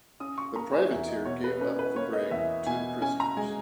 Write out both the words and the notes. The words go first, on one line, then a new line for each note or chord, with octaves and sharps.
The privateer gave up the brig to the prisoners.
C#4 D#6
C#6
A#3 A#5
G#5
E2 E5
D#5
B2 C#5
B4
C#4 B4
B4
A#3 C#5
D#5
E2 E5
B2 G#5
C#4 G#5
A#5
G#3 G#5